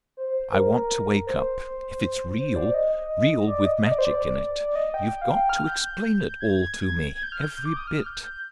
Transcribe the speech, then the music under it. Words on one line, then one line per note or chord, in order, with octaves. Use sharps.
I want to wake up. If it's real--real, with magic in it--you've got to explain it all to me--every bit.
C5
A#4
C5
C5
D5
D#5
D5
D#5
D#5
D5
C5
D5
D5
D#5
G5
F5
G5
F6
G6
G#6
G#6
G6
F6
G6
D6
D#6
F6
G6
G6